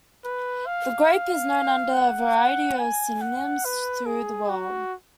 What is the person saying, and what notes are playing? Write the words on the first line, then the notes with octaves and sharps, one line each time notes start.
The grape is known under a variety of synonyms through the world.
B4
F5
F#5
F#5
G#5
F#5
B4
G#4
F#4